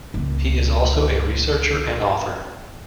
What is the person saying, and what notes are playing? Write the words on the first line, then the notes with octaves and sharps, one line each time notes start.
He is also a researcher and author.
C#2 A#3